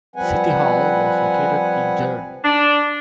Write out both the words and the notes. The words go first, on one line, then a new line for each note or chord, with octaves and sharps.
City hall was located in Joure.
F3 G3 C4 B4 F#5 G#5
D4